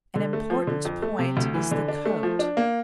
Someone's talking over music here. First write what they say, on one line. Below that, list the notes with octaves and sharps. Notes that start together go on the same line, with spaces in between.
An important point is the coat.
D3
A3
F3
D3
F2
A3
C3
D2
E3
D3
D4
A3
F3
D4
A#3